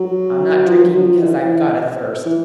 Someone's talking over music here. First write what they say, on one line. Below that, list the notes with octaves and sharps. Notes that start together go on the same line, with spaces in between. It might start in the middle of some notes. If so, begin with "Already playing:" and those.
"I'm not drinking because I've got a thirst."
Already playing: F#3
F3
F#3
F3
E3
E3
E3